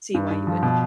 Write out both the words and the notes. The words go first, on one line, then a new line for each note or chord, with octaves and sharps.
see why you would
G2
G2
F3
B2